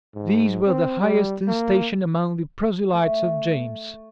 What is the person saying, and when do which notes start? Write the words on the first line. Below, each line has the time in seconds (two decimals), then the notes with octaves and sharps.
These were the highest in station among the proselytes of James.
0.15 G#2
0.66 C4
1.01 G3
1.48 A#3
2.93 A3